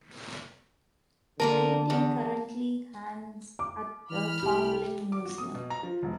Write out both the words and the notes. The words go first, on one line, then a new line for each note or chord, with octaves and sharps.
The painting currently hangs at the Foundling Museum.
D3 F3 A#3 A#4 A5
E2
D6
E3 B5 F6
C2 G4
D6
F#4
D#6
B2
A#5
F3
E1